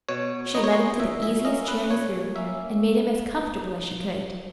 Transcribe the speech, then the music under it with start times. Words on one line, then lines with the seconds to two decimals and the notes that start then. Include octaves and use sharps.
She led him to the easiest chair in his room and made him as comfortable as she could.
0.09 B2 C#5
0.54 F#3 B3 D#4 D#5
0.64 C#5
0.72 D#5
1.00 A#2 E5
1.22 E5
1.44 A#3 C#4 D#5
1.68 B4
1.91 A#2 C#5
2.36 A#3 C#4 E5